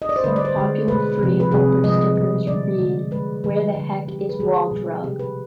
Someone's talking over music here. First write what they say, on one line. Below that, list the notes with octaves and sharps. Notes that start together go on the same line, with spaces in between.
Some popular free bumper stickers read Where the heck is Wall Drug?
D#5
D5
C5
D3 G3 B4
D5
C5
D3 G#3
B2 G#3 B4
C3 F3 G#3
B4
C3 D#3 G3 G#4
C3 F3 G#3 D#5
D#5
B2 G3
D3 G3 D5
D3 G#3
D3 G#3 B4
D3 F3 G#3 B4
D3 G3
D3 G#3 G4
G#4
B4
D3 F3 G#3 G#4
B2 G3
C3 D#3 G#3 G4
B4